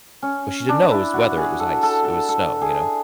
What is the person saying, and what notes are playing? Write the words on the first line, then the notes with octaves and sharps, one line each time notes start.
but she didn't know it was weather, it was ice, it was snow, you know?
C#4
D4
E4
F#4
G#4
A4
A4
A4
A4
G#4